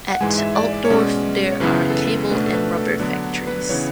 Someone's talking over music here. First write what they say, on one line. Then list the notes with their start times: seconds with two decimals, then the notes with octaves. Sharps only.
At Altdorf there are cable and rubber factories.
0.10 F#5
0.21 G#2 E3 G#3 G#5
0.38 E5
0.55 D5
0.73 D5
0.85 C#5
0.90 B2 G#3 C#4 D5
1.52 C#5
1.60 F#2 C#3 E3 B3 E4 B4
1.90 A4
1.95 B4
2.30 B2 A3 D4 B4
2.46 A4
2.53 B4
2.77 A4
2.99 D3 F#3 B3 D4 B4
3.47 B4
3.69 C#3 E3 B3 C#5